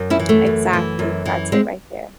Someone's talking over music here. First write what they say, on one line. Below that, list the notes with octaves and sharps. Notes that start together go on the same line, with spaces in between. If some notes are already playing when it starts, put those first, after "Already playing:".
Exactly, that's it right there.
Already playing: F#2
C#4 E4
E3
A3
F#2
E3
F#2
E3
G#3 C4